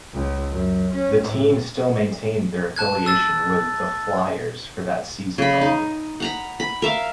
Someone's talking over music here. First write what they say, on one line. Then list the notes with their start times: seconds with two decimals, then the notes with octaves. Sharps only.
The team still maintained their affiliation with the Flyers for that season only.
0.13 C#2
0.51 F#2
0.94 C#4
1.23 A2
2.76 A5 F#6 G#6
3.06 E6 A6
5.38 C#3 B5
5.61 D#4
6.20 F#5 A#5 B5
6.60 B5
6.82 A#4 E5 F5